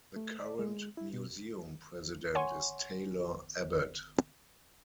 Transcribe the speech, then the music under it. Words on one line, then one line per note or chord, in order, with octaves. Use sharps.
The current museum president is Taylor Abbott.
A3
D5
G#3
E4
B2
C#5 F#5 G#5 C6 C#6